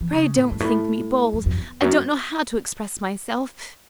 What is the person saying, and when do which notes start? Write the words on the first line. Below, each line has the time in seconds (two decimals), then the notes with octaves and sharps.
Pray don't think me bold; I don't know how to express myself.
0.01 E3
0.12 C#3
0.37 A2
0.51 F#2
0.60 A2
1.33 F#2
1.46 F#2
1.57 E2
1.82 F#2